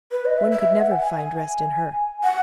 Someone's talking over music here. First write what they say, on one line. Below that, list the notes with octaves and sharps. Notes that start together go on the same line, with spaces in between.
One could never find rest in her.
B4
D#5
E5
E5
F#5
G#5
G#5
F#5